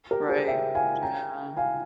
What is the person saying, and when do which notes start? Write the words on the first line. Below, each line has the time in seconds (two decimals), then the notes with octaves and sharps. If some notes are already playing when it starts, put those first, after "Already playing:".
Right. Yeah.
0.11 G4 A#4
0.29 G#4 C5
0.48 E5 G5
0.75 F5 G#5
1.02 G5 A#5
1.57 F5 G#5